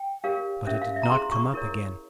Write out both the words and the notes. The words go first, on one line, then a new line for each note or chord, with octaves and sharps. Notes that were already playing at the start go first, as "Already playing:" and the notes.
But it did not come up again.
Already playing: G5
G4 A#4 C#5 F5
C#4 G4 A#4 C#5 E5
F5
E5
A#5
C#4 E4 G#4 C5 C6
C#6
E4 A#4 C#5